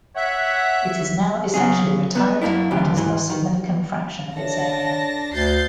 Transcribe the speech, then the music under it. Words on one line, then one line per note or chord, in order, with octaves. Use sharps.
It is now essentially retired, and has lost significant fraction of its area.
C#5 E5 F#5
C#3 F#3 C#4 G#4
B3 D4
F#2 A#3 D4 E4
D2 C#3 F#3 G4
G#2 E3
D#3
D4 A4 C#5 E5 A5 A#6
D2 F#4 D5 G6 A6 C7